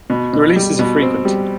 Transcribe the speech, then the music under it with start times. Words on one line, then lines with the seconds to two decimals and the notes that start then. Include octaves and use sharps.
The releases are frequent.
0.10 B2
0.33 B2
0.56 G3
0.79 B2
1.02 C4
1.25 G3